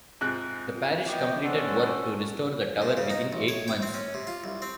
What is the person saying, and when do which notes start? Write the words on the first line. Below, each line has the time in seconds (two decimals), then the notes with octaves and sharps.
The parish completed work to restore the tower within eight months.
0.21 G#2 C3 F4 F#6
1.07 B3 E4 D#5 G5 C#6 D6
1.43 C#4 F#4 A4 C5 D5 F#5
2.82 C3
2.97 C#3
3.10 D#4
3.33 A1
3.48 C#5
3.68 G5
3.82 C4
3.94 C#4
4.14 C3
4.27 F4
4.44 C2
4.62 C4